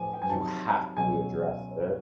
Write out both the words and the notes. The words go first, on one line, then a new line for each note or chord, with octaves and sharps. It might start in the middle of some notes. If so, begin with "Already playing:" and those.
you have to address it.
Already playing: A2 F3 G#5
G5
G#5
F2 C3 D#3 F#3 A5
C#2 B2 F#3 G#5